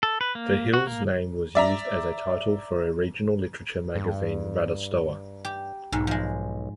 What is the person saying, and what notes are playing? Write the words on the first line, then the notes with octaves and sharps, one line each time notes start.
The hill's name was used as a title for a regional literature magazine, "Radostowa".
A4
B4
A#3
F#4
A#3
D5 E5 A#5
G2
G4
B1 G#2
F3 G#3